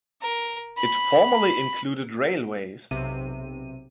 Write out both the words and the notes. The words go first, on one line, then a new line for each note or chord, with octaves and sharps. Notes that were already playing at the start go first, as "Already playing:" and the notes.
It formerly included railways.
A#4
B5
B1 C3 D#7